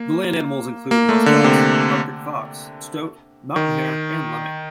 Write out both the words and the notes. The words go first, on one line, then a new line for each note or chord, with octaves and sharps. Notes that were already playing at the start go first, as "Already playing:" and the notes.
The land animals include muskox, Arctic fox, stoat, mountain hare and lemming.
Already playing: A#3
A#3
A3
D3
C3
D#3